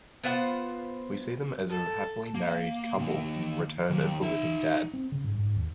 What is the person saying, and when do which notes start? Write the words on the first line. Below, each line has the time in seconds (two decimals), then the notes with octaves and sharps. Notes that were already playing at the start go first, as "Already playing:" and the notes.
We see them as a happily married couple in "Return of the Living Dad".
0.23 B3 F4 C5 F#5
1.69 A4
2.35 A#3
2.98 D#3 A#3
3.90 D#2
4.22 D#4 E5
4.94 C4
5.12 C#3
5.24 G#2
5.35 G#2
5.56 D#2